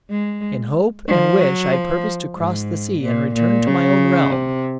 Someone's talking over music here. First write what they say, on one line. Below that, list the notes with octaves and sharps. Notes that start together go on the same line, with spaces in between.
In hope and wish I purpose to cross the sea, and return to my own realm.
G#3
F3
F#3
F3
G#2
A#2
A#2
C#3
C3